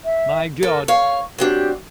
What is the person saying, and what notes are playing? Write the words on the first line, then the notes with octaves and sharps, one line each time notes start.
My God!
E5
A4 A#4
C#5 F5 C#6
F#3 C4 D4 G4